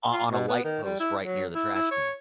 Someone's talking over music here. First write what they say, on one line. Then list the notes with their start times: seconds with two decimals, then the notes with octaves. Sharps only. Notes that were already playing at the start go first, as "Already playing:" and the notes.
o on a light post right near the trash can
0.13 F4
0.30 B2
0.49 B3
0.64 D#3
0.83 G3
1.00 E4
1.23 F#3
1.55 E4
1.75 E4
1.91 C#5